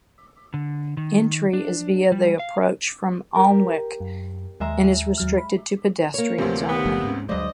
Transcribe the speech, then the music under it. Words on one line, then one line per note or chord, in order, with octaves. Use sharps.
Entry is via the approach from Alnwick, and is restricted to pedestrians only.
D3
D#3
D4
G3
F5
G4 A#4
F#2
D#2 G#3 E5 A#5
D#2 F#3 F6
B5
A#3 C#5
D2 G2 C3 F3
B3
F#1 F3 A3
G#2 C#4
D2 G2 F#3 G#3 C5 D5 D#5